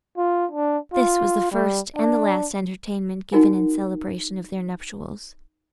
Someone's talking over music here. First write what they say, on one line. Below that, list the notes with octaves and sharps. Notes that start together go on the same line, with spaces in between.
This was the first and the last entertainment, given in celebration of their nuptials.
F4
D4
F4
G3
D4
D#4 F#4 A#4 F#5 G#5